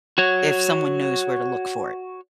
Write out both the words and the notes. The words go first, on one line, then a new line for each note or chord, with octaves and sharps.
if someone knows where to look for it,
F#4 C#5